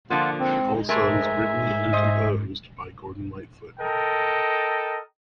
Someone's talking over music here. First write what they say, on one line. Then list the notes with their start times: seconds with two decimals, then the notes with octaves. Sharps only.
All songs written and composed by Gordon Lightfoot.
0.10 D3 F3 A#3 F4 F#5
0.40 G#3 C4 D#4
0.89 G#3 A3 A#4 C5 D#5 E5 G#5 A#5
1.23 G#2
1.93 C5 D#5
3.80 A4 A#4 D#5 G5